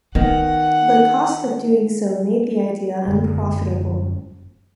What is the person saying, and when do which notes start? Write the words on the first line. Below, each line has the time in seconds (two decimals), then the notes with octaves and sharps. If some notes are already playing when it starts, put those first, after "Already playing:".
The cost of doing so made the idea unprofitable.
0.15 D#3 B3 F#5
3.07 F#2 D3 G3 G#3